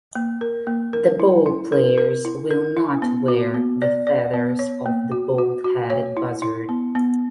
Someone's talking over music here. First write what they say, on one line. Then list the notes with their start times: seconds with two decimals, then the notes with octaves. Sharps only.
The ball-players will not wear the feathers of the bald-headed buzzard.
0.15 A#3
0.41 A#4
0.67 A#3
0.93 A#4
1.20 E4
1.46 E4
1.72 A#4
1.98 A#4
2.25 E4
2.51 A#4
2.77 E4
3.02 B3
3.28 F#4
3.54 B3
3.82 D5
4.07 D5
4.34 B3
4.59 C#5
4.86 A#3
5.12 F#4
5.38 F#4
5.64 F#4
5.90 C#5
6.17 E4
6.42 E4
6.69 B3
6.95 B3